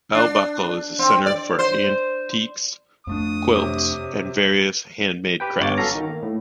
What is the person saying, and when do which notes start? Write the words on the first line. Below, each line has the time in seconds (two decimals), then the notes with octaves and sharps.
Bell Buckle is a center for antiques, quilts, and various handmade crafts.
0.15 D4
0.99 C4
1.26 D5
1.59 C5
3.07 F2 A3 D4 D#6
3.55 C3 C#5 D6
5.40 G4 B4 G5
5.60 G1 G2 C#5 D6 A6
5.78 F#3 C#4 F#4 A4 F5 A#5
5.95 D#3
6.09 A#3
6.22 A2